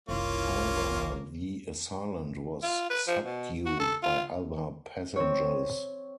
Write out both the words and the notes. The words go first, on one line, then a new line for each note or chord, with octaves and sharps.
However, the assailant was subdued by other passengers.
F#1 C2 A#3 C#4 F4
F4
B4
F3
B2
F#4
A4
F4
C4 C#5